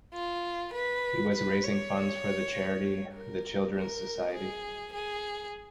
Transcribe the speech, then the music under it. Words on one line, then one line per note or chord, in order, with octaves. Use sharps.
He was raising funds for the charity The Children's Society.
F4
B4
B4
C#5
A#4
A#4
G#4
G#4